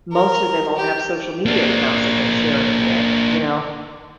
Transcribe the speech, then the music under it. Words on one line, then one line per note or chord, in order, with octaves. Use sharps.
most of them all have social media accounts that they share every day, you know?
A#4
G4
A#3 D4